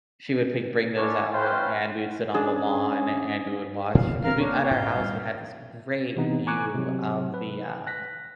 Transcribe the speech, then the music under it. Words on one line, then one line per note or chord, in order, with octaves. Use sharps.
She would ping bring those out and we'd sit on the lawn and we would watch 'cause we at our house, we had this great view of the, uh
C#4 D4 E4 C#5
C#4 F4 B4 C5 F5 G5
C#4 D4 G#4
A#2 C#3 E3 F5
D#1 C4 D4 A#4 F5 F6
A#3 D4 C#5
G#2 F5 G6
A2 G3
C3 E3 B3 D#4
G#5 A#5 C#6 D6 F#6 G#6
C3 F#3
B4
F#6 A#6 B6